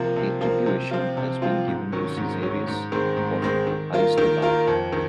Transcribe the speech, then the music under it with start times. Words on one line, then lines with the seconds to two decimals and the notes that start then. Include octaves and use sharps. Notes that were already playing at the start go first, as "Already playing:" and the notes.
Atribuation has also been given to Caesarius of Heisterbach.
Already playing: C3 F3 A#3
0.16 C3
0.41 F3 A#3
0.66 C3
0.91 F3 C4 F4
1.17 C3
1.42 F3 C4 F4
1.67 G#2
1.92 D#3 F#3 C#4
2.17 G#2
2.42 D#3 F#3 C#4
2.67 G#2
2.92 D#3 G#3 C4
3.17 G#2
3.42 D#3 G#3 C4
3.67 D#3
3.93 A#3 F4 A#4
4.18 D#3
4.42 A#3 F4 A#4
4.67 F2
4.93 D#3